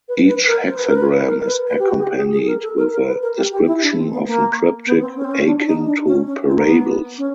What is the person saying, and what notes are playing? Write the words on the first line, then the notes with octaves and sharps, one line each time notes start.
Each hexagram is accompanied with a description, often cryptic, akin to parables.
B4
B4
A#4
C5
B4
A#4
B4
A#4
A#4
B4
B4
G4
F#4
G#4
G4
G#4
G#4
A#4
A4
A#4
A#4
B4
A#4
G4
G4
E4
D4
C4
B3
A#3
B3
C4
C#4
C4
C#4
D4
D#4
D4
C#4
C#4
C4
A#3
B3
C#4